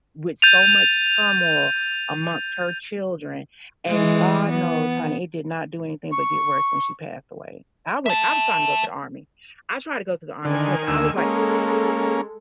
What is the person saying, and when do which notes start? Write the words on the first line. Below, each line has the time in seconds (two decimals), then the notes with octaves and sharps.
with so much turmoil amongst her children, and god knows, honey, it did not do anything but get worse when she passed away. I went I was trying to go to the army. I tried to go to the army 'cause I was like,
0.42 G6 A6 D#7 F7
3.87 E3 G#3
4.50 B3
6.12 C#6
8.06 E5 A5
10.45 D3 D#3 G#5
10.88 D2 E6
11.18 G#3 A#3 C#4 A4